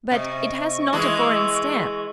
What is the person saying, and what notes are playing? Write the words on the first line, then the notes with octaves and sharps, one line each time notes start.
"But it has not a foreign stamp."
C3 D#5 C#6
E3 G#3 E4